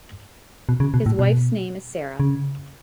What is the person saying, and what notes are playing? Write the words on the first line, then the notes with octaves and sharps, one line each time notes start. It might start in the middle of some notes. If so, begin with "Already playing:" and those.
His wife's name is Sarah.
B2
C#3
B2
A2
B2
C#3